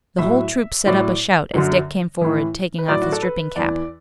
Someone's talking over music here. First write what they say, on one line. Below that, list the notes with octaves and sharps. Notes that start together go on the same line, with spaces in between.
The whole troop set up a shout as Dick came forward, taking off his dripping cap.
A2 F#3 E5
A2 F#3 D5
F#2 D3 F#3
A2 E3
B4
A2 F#3 D5
F#4
A4
B4
E2 E3 D5